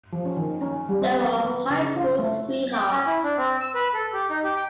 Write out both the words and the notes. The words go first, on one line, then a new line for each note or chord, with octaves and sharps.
They were high school sweethearts.
F3
C#4
D#3
C#4
G3
C4
B3
B3
C#3
F4
A3
G5
C#4
E4
D4
C4
E6
B4
A4
G4
D#4
G4
G5